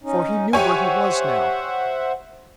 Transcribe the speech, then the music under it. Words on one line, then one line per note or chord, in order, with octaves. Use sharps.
For he knew where he was now.
C#4 D#4
G4 C5 C#5 E5 F#5 G#5